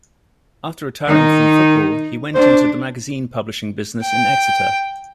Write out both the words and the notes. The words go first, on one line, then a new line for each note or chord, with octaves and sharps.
After retiring from football, he went into the magazine publishing business in Exeter.
D#3 D#4
D4 C5
G5